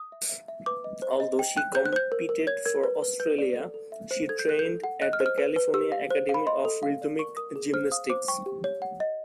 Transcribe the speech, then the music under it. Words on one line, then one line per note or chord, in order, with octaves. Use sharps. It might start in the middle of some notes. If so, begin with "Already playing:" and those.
Although she competed for Australia, she trained at the California Academy of Rhythmic Gymnastics.
Already playing: D#6
E5
E5
E5
B4 D6
D#5
C5
D#5
G5
G5 F#6
C5 G6
F#6
C5 G6
A#4
A#4
C#5 G#6
A#4 G#6
B4
B4
B4 G6
D5
A4
A4
E5
C5
A4 G#6
G6
A4 F#6
G6
A4
F#5
D#5 F#6
F6
C5
F6
B4
B4
G4 E6
F5
C5
F5
B5
D#5 C6
A4
F5
D5
A#4 C#6
A#4 D#6
G#4
C5 F6
F5 D#6
C5 D6
G5 C#6
G4
C#5
F#5
D#5